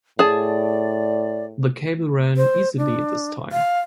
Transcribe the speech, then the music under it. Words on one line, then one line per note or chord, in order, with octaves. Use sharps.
The cable ran easily this time.
A2 G#4 D5 A5
C5
D4
F5